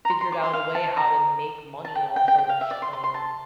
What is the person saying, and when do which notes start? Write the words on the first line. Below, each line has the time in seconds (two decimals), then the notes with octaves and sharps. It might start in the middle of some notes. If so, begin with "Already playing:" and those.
figured out a way how to make money off of, um,
0.05 A#5
0.10 C6
0.21 C6
0.32 D6
0.43 C6
0.53 F5
0.75 A5
0.97 A#5
1.85 A5
1.95 G5
2.16 G5
2.28 G5
2.38 G5
2.49 F5
2.61 E5
2.71 D5
2.82 C6
2.93 C6
3.04 C6
3.14 A5